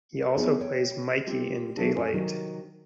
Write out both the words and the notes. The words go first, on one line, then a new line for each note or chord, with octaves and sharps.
He also plays Mikey in "Daylight".
F3 B3 D#4 F4 G#4 C#5
C#5 G5
C4 F4 G4
E3 F#3 B3 C4 D4 G#4
F2 C3 C#4 E4 G#5
C3 D#3 F#3 A#4